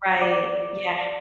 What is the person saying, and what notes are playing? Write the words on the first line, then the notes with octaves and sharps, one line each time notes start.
Right, yeah.
D5